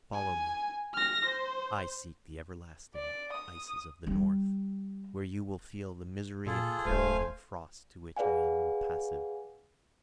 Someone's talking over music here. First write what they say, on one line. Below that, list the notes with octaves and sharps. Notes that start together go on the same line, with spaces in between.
Follow me; I seek the everlasting ices of the north, where you will feel the misery of cold and frost, to which I am impassive.
G#5
F6 A#6
C5
D5
D#6
G3
A#2 F4 G#4 A4
D1 A3 C5 F5 G#5
G#4 B4 D5 F5 F#5 G#5